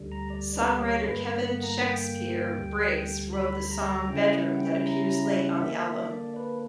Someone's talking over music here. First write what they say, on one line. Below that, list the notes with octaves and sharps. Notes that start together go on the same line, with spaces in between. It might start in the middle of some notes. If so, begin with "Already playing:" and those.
Songwriter Kevin "Shekspere" Briggs wrote the song "Bedroom" that appears late on the album.
Already playing: D2 D3 G3
A#5
D5
B4
C#5
G2 D3 A#3 B4
F#5
A#5
G5
D2 D3 G3
B5
A#5
C#3 G3 C#4 E4 G5
F#5
G5
A#5
A#5
E5
F#5
F#5
D3 A#3 D4 E5
E5
D5
B4